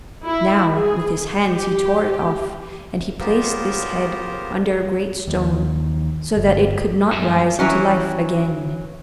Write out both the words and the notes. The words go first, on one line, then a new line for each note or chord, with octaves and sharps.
Now, with his hands he tore it off, and he placed this head under a great stone so that it could not rise into life again.
E4
G#4
G4
C#3 B3 F4 G4 A#4 C5
D#2
G1
F#2
E3 F#3 C#4